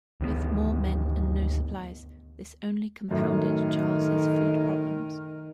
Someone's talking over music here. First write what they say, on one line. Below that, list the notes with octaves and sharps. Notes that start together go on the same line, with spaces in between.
With more men and no supplies, this only compounded Charles's food problems.
D2 D#3 F3 B3
F#2 A2 D#3